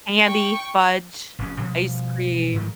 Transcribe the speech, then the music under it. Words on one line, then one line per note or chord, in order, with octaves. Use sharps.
candy, fudge, ice cream.
G5 C#6
F1 F2 C#4
B2 F3 G3
G#2 D#3 F#3 A3